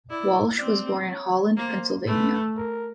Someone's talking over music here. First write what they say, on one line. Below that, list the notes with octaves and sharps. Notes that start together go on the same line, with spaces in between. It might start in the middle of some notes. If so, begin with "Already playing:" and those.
Walsh was born in Holland, Pennsylvania.
E4 D5
C4 D5
C#5
A#3 C5
A3 B4
A#4